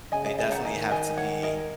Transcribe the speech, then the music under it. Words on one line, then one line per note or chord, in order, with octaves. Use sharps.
they definitely have to be
C#3 D#5 G#5
D#5 G#5
D#5 G#5
F#5 A#5
D#3 D#5 G#5
D#5 G#5
C#5 F#5
A#4 D#5